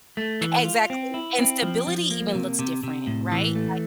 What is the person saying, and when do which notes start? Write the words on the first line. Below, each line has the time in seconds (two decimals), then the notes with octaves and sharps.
exactly, and stability even looks different, right, like,
0.17 A3
0.41 E3
0.65 F4
0.90 C4
1.14 E4
1.38 C4
1.62 F3
1.87 F3
2.11 A#3
2.35 C3
2.59 C3
2.83 C3
3.07 A2
3.32 E3
3.55 A3